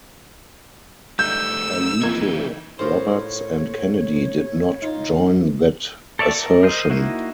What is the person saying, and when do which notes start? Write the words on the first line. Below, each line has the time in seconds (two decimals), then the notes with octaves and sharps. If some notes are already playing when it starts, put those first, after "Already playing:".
Alito, Roberts, and Kennedy did not join that assertion.
1.19 G3 A3 D#4 E6 G6
2.02 F2 E3 A#3 D#4 G#6
2.79 A2 F4 A#4 C5 C#5
4.82 D#4 F4
6.19 A4 C#5 D5 E5 A5
6.38 A#4
6.63 A#4 C5 D#5
6.90 A#3 D#4 E4 F#4